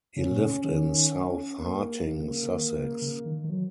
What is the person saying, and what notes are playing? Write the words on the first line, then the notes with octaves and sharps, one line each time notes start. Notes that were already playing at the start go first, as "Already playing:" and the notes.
He lived in South Harting, Sussex.
C#3 C#4
A#2
C#3
D#3 C#4
A#3
D#3 A#3
C#3
C#3
C#3
D#3
C#3
C#3
D#3
D#3
F#3